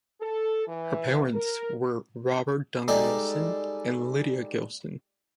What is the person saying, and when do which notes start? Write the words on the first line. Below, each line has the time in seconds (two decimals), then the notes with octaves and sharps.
Her parents were Robert Dunn Gilson and Lydia Gilson.
0.21 A4
0.67 E3
1.34 A#4
2.88 G3 G#3 D#4 A4 D5 D#5